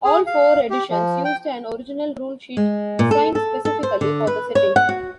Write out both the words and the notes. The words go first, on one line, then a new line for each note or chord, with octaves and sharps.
All four editions used an original ruleset designed specifically for the setting.
G#4
F5
G4
F3
G5
G#3
A#2
A4
A4
A4
C5
D3
B4
C#5
F#5
F#4